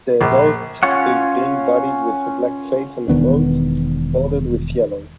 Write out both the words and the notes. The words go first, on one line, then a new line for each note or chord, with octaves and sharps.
The adult is green-bodied with a black face and throat bordered with yellow.
A#1
C#4 F4 C#5 F#5
E1 D#3 B3 D4